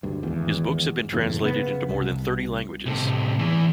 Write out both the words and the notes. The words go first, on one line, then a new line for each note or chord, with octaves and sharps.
His books have been translated into more than thirty languages.
D2 G2
G#1 E2
F#1 E2 A2
C#3 B3
C2
A2 C3
E2 E3